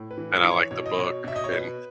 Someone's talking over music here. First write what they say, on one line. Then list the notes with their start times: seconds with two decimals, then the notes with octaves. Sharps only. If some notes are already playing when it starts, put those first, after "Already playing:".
and I liked the book and
Already playing: A2
0.11 B4
0.18 E3
0.31 G#4
0.44 E3
0.51 C#5
0.71 B2 C#5
0.86 D#5
0.98 B2 C#5
1.24 B2 E5
1.36 D#5
1.44 C#5
1.51 B2 B4